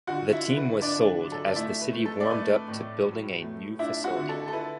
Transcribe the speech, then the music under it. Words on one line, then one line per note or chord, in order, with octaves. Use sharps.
The team was sold as the city warmed up to building a new facility.
D3 F#4 F#5
E4 E5
D3
B4
D4 D5
F#3
A4
D5
A3 E4 E5
B4
A3
A4
D5
A3 B4
A2
F#3
A3
D4 E4 E5
F#4 F#5
D3
A4
A4
E4 B4